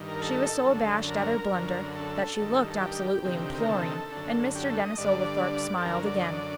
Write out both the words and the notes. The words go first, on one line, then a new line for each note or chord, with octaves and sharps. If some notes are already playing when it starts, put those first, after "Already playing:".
She was so abashed at her blunder, that she looked absolutely imploring, and Mr. Denis Oglethorpe smiled again.
Already playing: G2 D#3
A#4
A4
F#2 D3
A#4
F#2 D3
A4
G2 D#3
A4
G4
D2 C3 D#3
A#4
A4
F#2 D3
G4
A4
D#5
G2 D3 D5
A4
F#2 D3 A#4
D5
D#5
D5